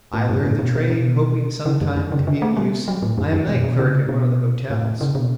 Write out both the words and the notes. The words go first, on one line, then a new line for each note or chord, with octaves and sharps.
I learned the trade, hoping some time to be of use, I am night clerk at one of the hotels.
A2
G2
A2
B2
B2
B2
C#3
F#2
F#2
C#3
D3
A3
G3
F#3
A2
F#2
F#2
B2
B2
C#3
B2
A2
C#3
B2